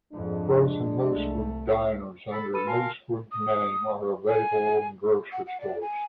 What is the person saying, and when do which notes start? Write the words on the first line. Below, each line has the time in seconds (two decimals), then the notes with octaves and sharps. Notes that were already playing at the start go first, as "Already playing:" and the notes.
Frozen Moosewood dinners under the Moosewood name are available in grocery stores.
0.13 F2 G#2 G#3 D4
1.13 C2 A3
2.32 A4 B5
2.53 D4 A4 B4 B5 D#7
2.67 F4 F#4 A#4 F5 G#5 A5
3.32 D#6
4.28 G#5
5.32 F#5
5.47 F#5
5.61 D5
5.82 G#5